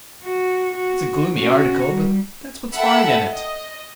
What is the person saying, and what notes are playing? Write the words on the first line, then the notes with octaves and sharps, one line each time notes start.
It's a gloomy article, but that's what's fine in it.
F#4
F#4
C#4 F#4
G3
A4 E5 F#5 G5 B5 E6
D#5